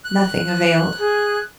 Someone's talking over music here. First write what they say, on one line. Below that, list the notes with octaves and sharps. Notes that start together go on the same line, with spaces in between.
Nothing availed.
F#6
G#4